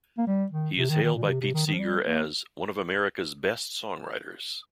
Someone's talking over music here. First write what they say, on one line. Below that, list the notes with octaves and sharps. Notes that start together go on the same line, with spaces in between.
He is hailed by Pete Seeger as "one of America's best songwriters".
A#3
G3
D#3
C3
D#3
D#3
A#2
D#3
C3
C3
D#3
D#3
F3
G3
A#3